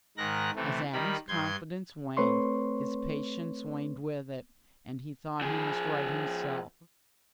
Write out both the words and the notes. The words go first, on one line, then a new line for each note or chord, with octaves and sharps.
As Adam's confidence waned, his patience waned with it, and he thought he must write himself.
G#2 D#3 A#4 F#6 A#6
C3 E3 A3
D#3 G3 A#4 B5
G2 C6 G6 G#6
A3 C4 B4 C#5 C6 C#6
F3 G#4